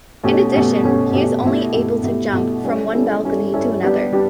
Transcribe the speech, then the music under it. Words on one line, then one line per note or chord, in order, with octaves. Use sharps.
In addition, he is only able to jump from one balcony to another.
B2 A3 C#4 G4
B2 A3 C#4 G4
B2 A3 C#4 G4
B2 A3 C#4 G4
B2 A3 E4 G4
B2 A3 E4 G4
B2 A3 E4 G4
B2 A3 E4 G4
G3 C#4 E4 A4
G3 C#4 E4 A4
G3 C#4 E4 A4
G3 C#4 E4 A4
G3 B3 D4 G4
G3 B3 D4 G4